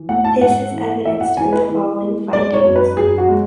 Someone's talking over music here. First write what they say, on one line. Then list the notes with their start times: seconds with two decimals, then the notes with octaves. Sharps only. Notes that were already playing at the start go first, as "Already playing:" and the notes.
This is evidenced in the following findings.
Already playing: E3
0.09 A3 F#5
0.24 A5
0.41 G#2 F#5
0.73 E3
1.05 E3 E5
1.21 F#5
1.37 E3 G#5
1.53 B4
1.69 E3
2.01 G#3
2.33 G#3 D5
2.54 C#5
2.64 F#2
2.76 B4
2.97 F#2 G#4
3.18 F#4
3.28 G#3